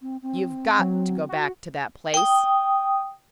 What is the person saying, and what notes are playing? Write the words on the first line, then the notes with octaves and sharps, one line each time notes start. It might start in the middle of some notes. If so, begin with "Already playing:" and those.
"You've GOT to go back to that place?"
C4
C4
F#3
F#4
G5 D#6